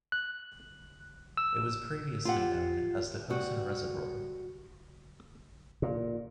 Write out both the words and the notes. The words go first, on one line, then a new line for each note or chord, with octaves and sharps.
It was previously known as the Hosen Reservoir.
F#6
E6
F4 G4 F#5
G3 F#4
A#2